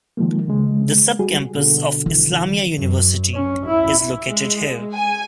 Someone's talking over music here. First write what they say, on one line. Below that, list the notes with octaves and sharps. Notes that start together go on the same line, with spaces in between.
The sub-campus of Islamia University is located here.
D#3 F3 G#3 A#3
C#3 G#3
G3 F#4 G#4
B2 D3
E3
F#2
C#4
E4
G#3
G#5